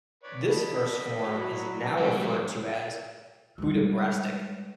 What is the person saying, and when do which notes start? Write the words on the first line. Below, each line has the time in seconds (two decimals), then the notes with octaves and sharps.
This verse form is now referred to as "Hudibrastic".
0.23 B4 C#5 D5
0.49 D4 D#5 B5
1.25 F#3
1.97 G3 G#3
3.58 G3 G#3